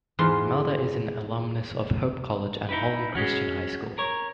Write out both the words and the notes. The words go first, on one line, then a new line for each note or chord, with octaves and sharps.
Malda is an alumnus of Hope College and Holland Christian High School.
E2 G#2 F4 C6
D#4 E4 B4
G#3 C#4 F#4
A#4 C#5